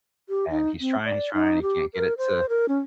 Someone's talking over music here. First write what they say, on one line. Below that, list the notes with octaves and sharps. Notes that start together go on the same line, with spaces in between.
and he's trying, he's trying, he can't get it to
G4
D#4
C4
D5
D#4
G4
A#4
C5
A#4
C#4